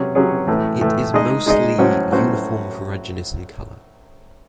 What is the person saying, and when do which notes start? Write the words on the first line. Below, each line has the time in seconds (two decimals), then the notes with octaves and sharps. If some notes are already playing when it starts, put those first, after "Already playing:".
It is mostly uniform ferruginous in color.
Already playing: C3 F#3 C#4 G#4 C#5
0.15 C3 F#3 C#4 G#4 C#5
0.47 A2 E3 A3
0.81 A2 E3 A3
1.13 G#3 D#4 G#4 D#5
1.46 G#3 D#4 G#4 D#5
1.78 A2 F#3 C#4 F#4 C5
2.12 A2 F#3 C#4 F#4 C5